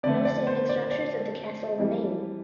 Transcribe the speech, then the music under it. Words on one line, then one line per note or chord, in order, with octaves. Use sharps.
No standing structures of the castle remain.
F2 D3 A3 D5
D5
C5
D5
D5
F2 E3 G3